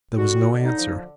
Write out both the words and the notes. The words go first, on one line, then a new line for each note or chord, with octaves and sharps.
There was no answer.
D3 F#4
D3
D#4
F3